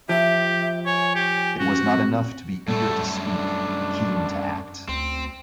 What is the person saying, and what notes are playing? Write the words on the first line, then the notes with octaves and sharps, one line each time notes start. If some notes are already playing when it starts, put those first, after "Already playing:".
It was not enough to be eager to speak, keen to act.
F3 G4 E5
E5
C#5 G#5
G4
C#4 F#4
C4
F#2 G3 A3 A4
D4
D2 C4